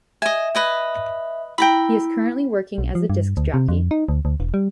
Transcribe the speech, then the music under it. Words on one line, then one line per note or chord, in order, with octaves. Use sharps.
He is currently working as a disc jockey.
D#5 E5 G#5
B4 D#5 G#5
E4 G5 A#5 B5
B1
F3
G2
D2
C3
F2
D#4
D2
D2
E1
G3